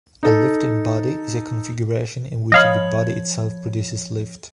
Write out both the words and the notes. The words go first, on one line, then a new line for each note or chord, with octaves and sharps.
A lifting body is a configuration in which the body itself produces lift.
D#4 A4
F3 C#5 D#5 F5 B5